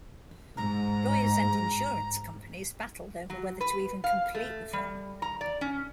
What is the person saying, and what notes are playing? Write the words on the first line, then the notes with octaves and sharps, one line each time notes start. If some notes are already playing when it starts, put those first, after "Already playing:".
Lawyers and insurance companies battled over whether to even complete the film.
G#2 A#5
F#3
B4
F5
A3
G3
A#5
D5
C#4